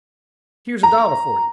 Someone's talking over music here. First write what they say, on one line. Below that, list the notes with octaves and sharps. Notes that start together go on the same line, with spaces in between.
Here's a dollar for you.
A#5